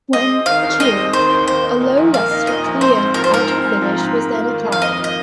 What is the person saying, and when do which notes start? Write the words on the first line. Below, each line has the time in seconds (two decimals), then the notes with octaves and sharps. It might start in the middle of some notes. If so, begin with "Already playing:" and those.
When cured, a low-luster clear outer finish was then applied.
0.13 G#3 D#5
0.30 C4
0.46 D#3 F5
0.63 D#2
0.80 G#3 D#5
0.97 C4
1.13 D#3 C5
1.30 D#2
1.47 A#3 C5
1.64 D#4
1.80 A#2
1.97 A#1
2.14 A#3 F5
2.31 D#4
2.47 A#2 D#5
2.64 A#1
2.81 C4 C5
2.98 G#2
3.14 F3 A#4
3.24 C5
3.31 G#2 A#4
3.48 C4
3.65 G#2
3.81 F3
3.98 G#2
4.15 A#3
4.32 F4
4.48 D#3
4.65 F2
4.72 F5
4.82 A#3 D#5
4.98 F4
5.04 D#5